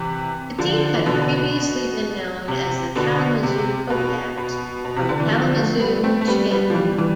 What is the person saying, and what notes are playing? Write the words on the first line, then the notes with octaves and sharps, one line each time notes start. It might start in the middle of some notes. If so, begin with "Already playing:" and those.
The team had previously been known as the Kalamazoo Kodiaks, from Kalamazoo, Michigan.
Already playing: C3 E3
D3 F3
E3
B2 D3
B2
B2
C3
B2 D3
C3
B2
B2
B2
C3
D3
E3
D3 F3
F3 A3
G3 B3
A3 C4
A3
G3 B3
G3 B3
F3
E3 G3
E3 G3